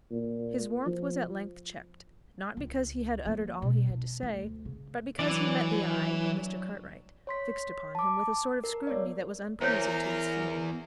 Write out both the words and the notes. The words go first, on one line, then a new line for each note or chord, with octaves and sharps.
His warmth was at length checked, not because he had uttered all he had to say, but because he met the eye of Mr. Cartwright fixed upon him with a sort of scrutiny that was unpleasing to his feelings.
A#2
F3
C#2
F3 A#3
B2
D4
D2
C#3
E3 F#3 D4 D5
C#5 C6 B6
A5 D6
A#4
B3 C#5 D5
E2 A#4 C5 C#5